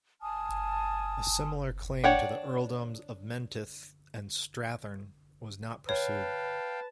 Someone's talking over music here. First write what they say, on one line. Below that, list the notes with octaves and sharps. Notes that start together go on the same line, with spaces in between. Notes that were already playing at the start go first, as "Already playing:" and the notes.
A similar claim to the Earldoms of Menteith and Strathearn was not pursued.
G#5 A5 D#6 F6
D4 C#5 F#5 G5
B4 C#5 F5 G5 A5